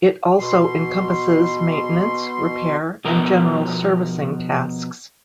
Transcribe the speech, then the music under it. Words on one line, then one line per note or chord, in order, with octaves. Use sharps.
It also encompasses maintenance, repair, and general servicing tasks.
B2 C6
B2 F3 B3 A#4